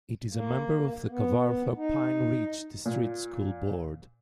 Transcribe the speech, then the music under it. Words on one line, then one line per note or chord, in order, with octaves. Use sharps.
It is a member of the Kawartha Pine Ridge District School Board.
A#3
B3
D#4
A#2